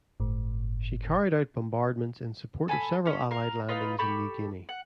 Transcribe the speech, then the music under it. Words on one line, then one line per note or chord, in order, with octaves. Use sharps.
She carried out bombardments in support of several Allied landings in New Guinea.
G1 A2
A4 G#5 A5 B5
C#4 A4
A#4 F5
D#4 F4 B4
G4 A4 B5 C#6
F#5